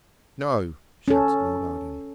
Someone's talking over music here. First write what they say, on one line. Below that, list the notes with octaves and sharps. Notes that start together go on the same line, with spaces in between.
"No," shouted Lord Arden.
C#4 A4